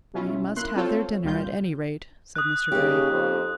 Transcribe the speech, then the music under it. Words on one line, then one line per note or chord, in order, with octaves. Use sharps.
"They must have their dinner, at any rate," said Mr. Grey.
B2 F#3 C#4 E4 F4
A#3 E4 C6 F#6
C4 F4 A4 C5 C#5
C#2 A#2 G3 F4 G6
D#6 F#6
C#3 A#3 D#4 G4
F2